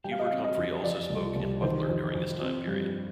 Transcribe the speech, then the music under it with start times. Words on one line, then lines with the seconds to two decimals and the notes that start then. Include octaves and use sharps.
Hubert Humphrey also spoke in Butler during this time period.
0.04 G3 G5
0.11 F5
0.19 D#5
0.26 C4 F5
0.44 D#5
0.57 F2
0.83 F3 D5
1.10 C2
1.36 C2
1.62 D#3 C5
1.89 F2
2.15 F2
2.41 C4
2.67 G2